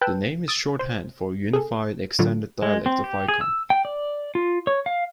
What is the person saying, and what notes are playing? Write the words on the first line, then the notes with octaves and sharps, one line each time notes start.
The name is shorthand for Unified Extended Dialect of Icon.
B4 G5 A5 E6 F#6 G6
D#6 E6 A6 D7
C5
G#4 A4
A2 D3 F#3 A3 F4
G#3
C4
G4
G#4
E6
G5
D5
F4
C#5
F5